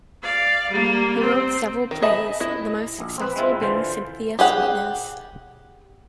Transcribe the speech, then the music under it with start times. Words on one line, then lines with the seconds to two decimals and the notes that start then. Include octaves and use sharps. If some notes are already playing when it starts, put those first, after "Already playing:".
He wrote several plays, the most successful being "Cynthia Sweetness".
0.23 D5 F5
0.70 G3 A#3
1.18 C4
1.91 D#3
2.02 D#5 E5 G#5 A5 B5
2.40 E4 D#5
2.99 A#1
3.18 C4 B4
3.36 G#3 C4 E4 F4 E5
3.61 D3 E3 F4 C5
4.39 G4 G#4 F#5